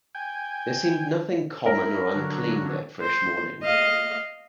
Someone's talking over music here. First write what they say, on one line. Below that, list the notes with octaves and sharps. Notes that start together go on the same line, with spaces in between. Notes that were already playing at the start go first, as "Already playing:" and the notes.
There seemed nothing common or unclean that fresh morning.
G5 G#5
E4 A#4
D3 F#3
C5
D#5 F5